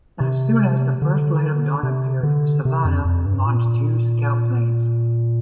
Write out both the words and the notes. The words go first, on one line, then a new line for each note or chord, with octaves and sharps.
As soon as the first light of dawn appeared, "Savannah" launched two scout planes.
C3
D3
C3
D3
C3
F2
F2
G2
A#2